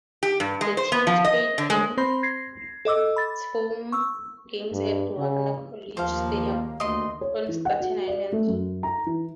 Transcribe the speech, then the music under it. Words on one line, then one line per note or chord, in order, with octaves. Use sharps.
The team played its home games at Wagner College Stadium on Staten Island.
G4
G2
G#3
C5
B3
F3
D#5
D3
G#3
C4 C5 B5 C6 A#6
G#6 A#6 C7
A4 D#5 D6 E6
B5 A6
C#6 E6
G2
C#3
D#2 F3 A#3 C5 F5
D2 D#5 C6
C#5
E3
F#5
F#4
D5
A3
F#2
A#5
E3